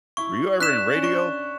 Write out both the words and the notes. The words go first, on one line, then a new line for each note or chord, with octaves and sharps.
were you ever in radio?"
E4 C#6
D4 F#6 B6 E7
C#4
D4 C#6